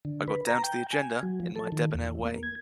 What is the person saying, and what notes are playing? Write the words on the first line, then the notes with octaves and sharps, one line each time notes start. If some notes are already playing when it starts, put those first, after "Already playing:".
I got down to the agenda in my debonair way.
D3
B4
A#5
G5
G#5
F#3
F3
A4
D#3
E2
A#3
G#6